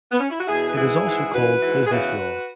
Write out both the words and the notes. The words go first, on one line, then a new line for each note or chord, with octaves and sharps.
It is also called business law.
B3
C#4
E4
F#4
E2 B2 E4 G#4
B4
G#2 E3 E4 G#4
G#2 E3
F#2 E3 F#4 B4
G#2 E3
G#4
E2 C#3 E3 F#4 B4